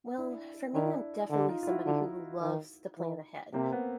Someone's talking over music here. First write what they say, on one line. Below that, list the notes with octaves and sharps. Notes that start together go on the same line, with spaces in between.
Well, for me, I'm definitely somebody who loves to plan ahead.
D4 E4
D#3 D4 E4
D3
D#4 F4
F4
E4 F#4
D3
D#3
E3
C3 A#3 C4
B3